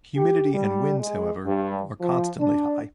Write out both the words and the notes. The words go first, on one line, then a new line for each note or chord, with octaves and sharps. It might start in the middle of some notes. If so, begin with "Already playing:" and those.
Humidity and winds, however, are constantly high.
G4
G3
G#3
G2
F3
D4